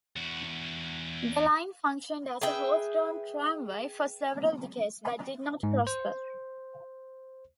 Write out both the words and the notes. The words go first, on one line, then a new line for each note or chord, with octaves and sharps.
The line functioned as a horse-drawn tramway for several decades, but did not prosper.
E2 F#4
G#4 B4 E5 G5
G#2
C5